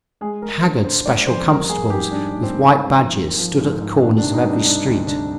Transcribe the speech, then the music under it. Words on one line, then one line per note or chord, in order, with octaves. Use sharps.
Haggard special constables with white badges stood at the corners of every street.
G#3 G#4
G#3 A#4
D3 C5
D3 C5
G#3 D5
F2 C5
G3 A#4
A#3 G#4
G#2 G4
G3 D4
G#2
C4
G3
G#2
F3
A#3
F3
G#2
G#2
D#3 D4
D4
C3
D#4
G3
D4
G3 D4
D2
C3 D4